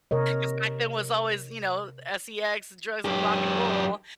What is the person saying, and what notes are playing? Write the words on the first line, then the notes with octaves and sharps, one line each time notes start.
'Cause back then was always, you know, S-E-X, drugs, and rock and roll,
C3 A#4 C#5 D#5
F#2 G4